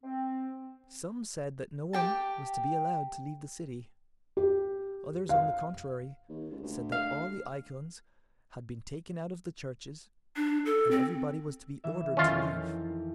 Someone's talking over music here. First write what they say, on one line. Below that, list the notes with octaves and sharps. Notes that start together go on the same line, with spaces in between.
Some said that no one was to be allowed to leave the city, others on the contrary said that all the icons had been taken out of the churches and everybody was to be ordered to leave.
C4
G4 G5 A5
G4
F5
D#2
C#2
D2
F5
D4
A4
C4
E3 E5
F2 D#3 E3 C#4 F4